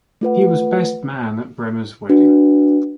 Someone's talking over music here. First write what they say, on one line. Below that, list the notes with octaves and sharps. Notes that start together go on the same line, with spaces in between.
He was best man at Bremner's wedding.
A3 F4 B4 F#5
D4 F#4 B4